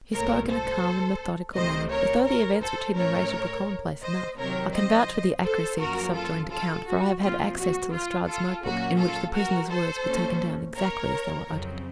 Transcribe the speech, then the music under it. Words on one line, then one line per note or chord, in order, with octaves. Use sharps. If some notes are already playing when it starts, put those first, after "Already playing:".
He spoke in a calm and methodical manner, as though the events which he narrated were commonplace enough. I can vouch for the accuracy of the subjoined account, for I have had access to Lestrade's note-book, in which the prisoner's words were taken down exactly as they were uttered.
C2 A#2 A3 A#4 C#5
A4 C5
C2 C3 D#3 A3 C4 C5 D#5
A#4 C#5
A#4 C#5
A4 C5
A2 A3 C#4 A#4 C#5
C5 D#5
C3 D#3 F#3 C4 A#4 C#5
C5 D#5
A4 C5
F#2 F3 A#3 F#4 A#4
F4 A4
F4 A4
F#4
A#2 F3 C4 F4
F#4
F4
F4 A4
A#2 F#3 A#3 C#4 F#4
F4 A4
F#4 A#4
A4 C5
A#2 A3 C#4
A#4 C#5
F2 C#3 F#3 C4